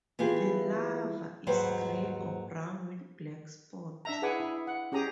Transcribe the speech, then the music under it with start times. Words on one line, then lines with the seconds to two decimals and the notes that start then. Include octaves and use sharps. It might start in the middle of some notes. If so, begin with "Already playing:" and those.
The larva is grey or brown with black spots.
0.19 E3 B3 F4 G4 G#4
1.47 D#2 G#2 F#3 B4 C5
4.05 D4 E5 A#5
4.22 E4 G#4 B4 F#5 G#5 D6
4.40 E4
4.67 F#5
4.92 C#4 G4 G#4 A#5 D#6